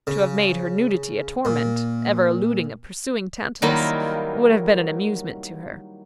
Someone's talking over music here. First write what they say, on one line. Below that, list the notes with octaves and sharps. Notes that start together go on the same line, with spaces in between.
To have made her nudity a torment, ever eluding a pursuing Tantalus, would have been an amusement to her.
C#3
A#2
D#3 F#3 G3 A#3 E4 F4